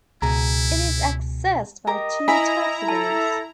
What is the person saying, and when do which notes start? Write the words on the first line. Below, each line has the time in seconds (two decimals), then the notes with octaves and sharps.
It is accessed by two taxiways.
0.22 C#2 B2 E4 G#4 A#5
1.87 G4 A#4 D#5 A#5
2.28 E4 G#5 A#5 B5
2.88 A4 A5